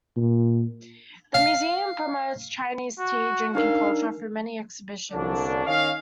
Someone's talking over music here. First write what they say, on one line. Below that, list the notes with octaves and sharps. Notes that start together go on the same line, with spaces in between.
The museum promotes Chinese tea drinking culture through many exhibitions.
A#2
F5
F#4
D4 D#4 A#4 F5
C2 D3 A#3 C#4 D4
D#3 C#4 D#5 F5